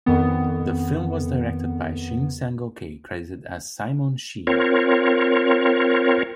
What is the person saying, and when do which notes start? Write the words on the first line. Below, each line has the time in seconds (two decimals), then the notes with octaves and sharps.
The film was directed by Shin Sang-ok, credited as "Simon Sheen".
0.06 F2 D#3 B3
4.47 C4 F4 A#4 C#5